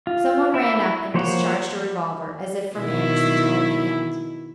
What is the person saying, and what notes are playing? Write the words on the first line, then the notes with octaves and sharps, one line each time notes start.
Some one ran up and discharged a revolver as if from Andersen's own hand.
F4
E4 E5
F3 A#3 C5 C#5 F#5
B2 D#3 E4